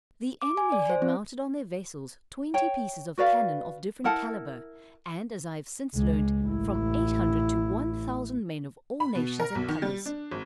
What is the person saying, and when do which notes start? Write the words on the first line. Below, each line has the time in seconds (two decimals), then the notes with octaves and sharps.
The enemy had mounted on their vessels twenty pieces of cannon of different calibre; and as I have since learnt, from eight hundred, to one thousand men of all nations and colors.
0.42 D6
0.57 G#5
0.72 D5
0.90 C5
1.02 C4
2.54 C#5 G5
3.18 F#4 B4 D5 F5
4.04 E4 A#4 F#5 A5
5.95 C#2 G#3
6.44 A1 E4
9.00 B5
9.15 B2
9.40 A#4
9.55 B1
9.68 D#3
9.82 G3
10.06 D4
10.31 G#1